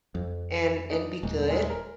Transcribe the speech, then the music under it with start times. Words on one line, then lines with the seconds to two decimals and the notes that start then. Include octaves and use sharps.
and and be good.
0.15 F2
0.90 D4 D#4
1.23 D#1 G#2
1.49 E3 G#3 A#4
1.70 A#4